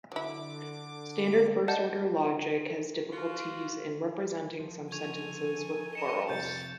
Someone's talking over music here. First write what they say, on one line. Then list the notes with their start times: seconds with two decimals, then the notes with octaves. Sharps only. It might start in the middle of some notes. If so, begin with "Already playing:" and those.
Standard first order logic has difficulties in representing some sentences with plurals.
0.12 D3 F#3 E4 D6
1.68 D5 D#5 F#5 A5 G6
3.10 F4 F#4
4.60 F3
4.92 A4 G#5 C#6 G#6 F7
5.95 A#4 D#5 C#7 E7
6.30 C3 F3 G6 A6 C#7